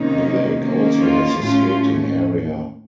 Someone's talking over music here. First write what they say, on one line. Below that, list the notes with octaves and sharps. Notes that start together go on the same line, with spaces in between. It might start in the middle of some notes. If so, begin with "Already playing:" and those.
The lake also has a skating area.
Already playing: C3 D#3 A#3 C#4 D#4
D#3 A#3 C#4
F4
A2 A3 C#4 F4